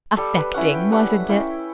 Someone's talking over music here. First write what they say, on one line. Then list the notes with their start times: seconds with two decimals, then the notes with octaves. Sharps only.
Affecting! wasn't it?
0.17 G3 A4
0.36 B4
0.54 C#4 E4 F#5
0.74 G5
0.92 G3 F#5
1.29 C#4 E4 G5